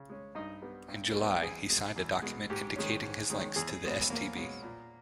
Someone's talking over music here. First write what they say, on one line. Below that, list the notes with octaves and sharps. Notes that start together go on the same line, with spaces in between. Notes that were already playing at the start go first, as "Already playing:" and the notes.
In July, he signed a document indicating his links to the StB.
Already playing: C#3
G#3 C#4
G2 D#4 D#5
G3 B3
G2
G3 B3
E2 G#4
B2 G#3
E2
B2 G#3
G#2 G4
D#3 G#3 C#4
G#2
D#3 G#3 C#4
E2 G#4
B2 G#3 C#4
E2 A#3 A#4
B2 G#3 C#4
A#2